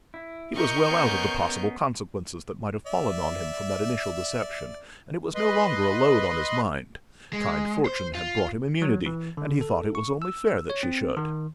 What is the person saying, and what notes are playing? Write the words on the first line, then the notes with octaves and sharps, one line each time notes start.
He was well out of the possible consequences that might have fallen on him from that initial deception, and it was no longer a load on his mind; kind fortune had brought him immunity, and he thought it was only fair that she should.
E4
A#4 D#5 C#6 G6
B3 C#4 G#4
D5 E5
B4 D#5 B5 C6
G#3
C5
F4
F#3
E3
D3
A4
C#6
E6
C#5
C4
D#3